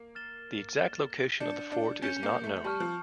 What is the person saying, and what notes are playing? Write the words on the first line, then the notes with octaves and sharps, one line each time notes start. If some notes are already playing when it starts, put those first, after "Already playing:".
The exact location of the fort is not known.
Already playing: A#3
F6 A6 E7 G7
F6 A6 E7 G7
D4 G6 C#7 E7 G7
D4
C#4 G6 C#7 E7 G7
A#3
A3
G3 A5 C#6 F6
F3